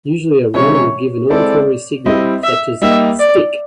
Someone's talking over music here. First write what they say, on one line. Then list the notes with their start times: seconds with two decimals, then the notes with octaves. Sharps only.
Usually a runner will give an auditory signal, such as Stick!
0.54 C3 E3 G#3 C#4 E4 C#5
1.30 G#3 C4 E4 A4 D5
2.06 G3 C4 E4 D#5
2.44 E5
2.82 G3 A#3 D#4 G4 E5
3.19 D5